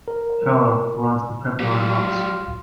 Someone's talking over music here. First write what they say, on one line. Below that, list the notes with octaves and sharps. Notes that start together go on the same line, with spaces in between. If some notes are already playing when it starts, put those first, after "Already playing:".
Feller runs the February months.
A#4
F#3 G3 F4